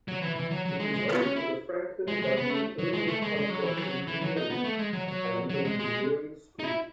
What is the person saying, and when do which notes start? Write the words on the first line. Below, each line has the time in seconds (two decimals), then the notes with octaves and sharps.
It is home to the Franklin W. Olin College of Engineering, an engineering school.
0.08 F#3
0.22 E3
0.36 E3
0.51 F#3
0.65 F#3
0.79 G#3
0.93 G#3
1.08 B3
1.22 C#4
1.36 E4
2.08 G#3
2.22 G#3
2.37 B3
2.50 A3
2.78 F#3
2.93 G#3
3.07 A3
3.22 G#3
3.36 G#3
3.50 F#3
3.63 E3
3.77 F#3
4.07 E3
4.22 F#3
4.36 D#4
4.50 B3
4.64 A3
4.79 G#3
4.93 F#3
5.08 F#3
5.50 F#3
5.65 G#3
5.79 G#3
6.59 D#4
6.64 E4